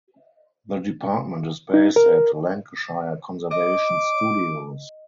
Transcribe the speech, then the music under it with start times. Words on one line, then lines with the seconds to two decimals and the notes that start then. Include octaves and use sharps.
The department is based at Lancashire Conservation Studios.
1.74 D#4
1.96 A#4
3.51 D#5 D6